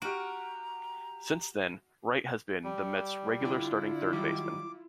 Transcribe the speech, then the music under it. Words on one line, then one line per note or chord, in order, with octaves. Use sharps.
Since then, Wright has been the Mets regular starting third baseman.
F#4 G4 A#5 F6 D7
G3
D3 D4 E4 F4
D#3 F#3 G3 D6